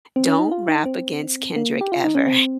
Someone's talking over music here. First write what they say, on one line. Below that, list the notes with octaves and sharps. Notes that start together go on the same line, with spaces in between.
Don't Rap Against Kendrick Ever.
C4
C#4
D#4
F4
D#4
C4
A#3
G4
F4
D#4
C#4
C4